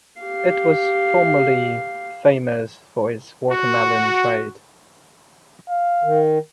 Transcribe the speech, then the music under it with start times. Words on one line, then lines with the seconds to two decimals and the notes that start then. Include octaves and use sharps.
It was formerly famous for its watermelon trade.
0.22 G4 F5
3.50 F#4
5.70 F5
6.04 D#3